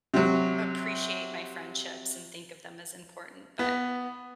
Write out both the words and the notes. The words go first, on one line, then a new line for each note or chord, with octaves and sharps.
appreciate my friendships and think of them as important, but,
C3 F#3
B3